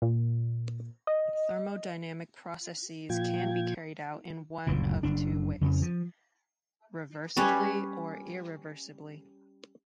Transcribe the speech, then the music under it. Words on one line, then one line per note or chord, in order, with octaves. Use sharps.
Thermodynamic processes can be carried out in one of two ways: reversibly or irreversibly.
A#2
D#5
A#2 F3 F4 G5 G#6
F#1 D2 A#2
F#1 D4
F2 C#3
F3
G3 C#4 B4 C#5